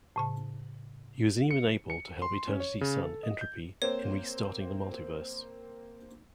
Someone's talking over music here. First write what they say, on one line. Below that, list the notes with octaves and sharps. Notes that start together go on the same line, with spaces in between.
He was even able to help Eternity's son Entropy in restarting the multiverse.
A2 C#3 A5
C#7
C#7
C6
C#4
C#5
C#3
A4
D#5
G6
A#3 C4 C5 C#5